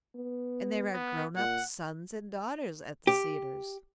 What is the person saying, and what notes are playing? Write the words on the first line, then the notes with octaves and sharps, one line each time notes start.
And there are grown-up sons and daughters at the Cedars.
B3
B3
A#2 F#5
G4